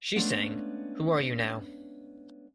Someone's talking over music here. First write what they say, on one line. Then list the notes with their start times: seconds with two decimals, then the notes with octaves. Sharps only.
She sang Who Are You Now?
0.16 G#3 A3 B3 C#4 D4 F5